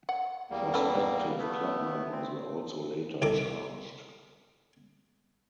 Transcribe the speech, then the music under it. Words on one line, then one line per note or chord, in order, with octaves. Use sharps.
Prospective club members were also later charged.
F#5
E2 G3 A#3
C#4 A4 B4
A3 B3 E4
C4
C2 D#3 A4 A#5 D6